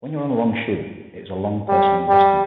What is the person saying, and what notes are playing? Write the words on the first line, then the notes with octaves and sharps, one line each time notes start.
When you're on a long shoot it is a long personal investment.
G3
G3